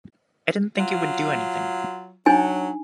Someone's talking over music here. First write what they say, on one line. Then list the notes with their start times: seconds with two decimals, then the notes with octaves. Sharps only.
I didn't think it would do anything.
0.77 F#3 F4
2.26 F#3 D4 D#4 G#5